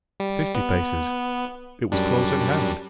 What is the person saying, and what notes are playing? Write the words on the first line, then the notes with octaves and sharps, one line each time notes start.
Fifty paces--it was close at hand!
G3
B3
F#2 G3 D4